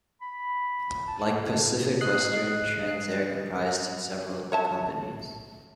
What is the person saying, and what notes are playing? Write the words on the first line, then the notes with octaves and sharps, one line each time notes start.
Like Pacific Western, Transair comprised several companies.
B5
A5
D#5 F#6 C7
C#5 E5 A5